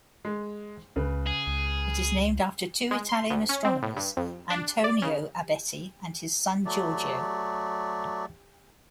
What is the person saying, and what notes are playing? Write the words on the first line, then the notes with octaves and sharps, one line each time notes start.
It is named after two Italian astronomers, Antonio Abetti and his son Giorgio.
G#3
C#2 C#3 B4
G#4
C#2
G#3
C6
D2
C#4
C4
A2
G2
F2
D4
D5
C#3
F#3 A3 D5